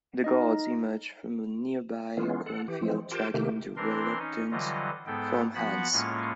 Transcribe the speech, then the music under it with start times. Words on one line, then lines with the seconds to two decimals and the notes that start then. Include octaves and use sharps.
The guards emerge from a nearby cornfield dragging the reluctant farmhands.
0.24 D#4 D#5
2.17 E3 G#3 B3 C#4 F4
2.46 A4 F#5
2.68 E3 G4
2.82 E3 F3 G#3 C4
3.12 F4 G4 A#4 C5 G5 A5
3.34 C3 D#3 A3 A#3 G4
3.76 E3 C4 D4 A#4 C6
4.19 C#4 D#4
4.51 D3 E3 F#3 G3 F4 D#5
5.06 G#2 G#3 B3 A4 G5
5.55 F3 B3 F#4 F#5 B5
5.92 A2 G#3 A#3 C#4 F4